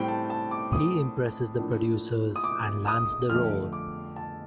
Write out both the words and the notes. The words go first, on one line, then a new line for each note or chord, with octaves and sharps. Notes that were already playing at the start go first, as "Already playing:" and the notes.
He impresses the producers and lands the role.
Already playing: A2 G3 C4 G5
A5
A5
D6
D#6
A2 F3 A#3 D4
D#6
D6
D#6
F2 D3 A3 F6
D6
A5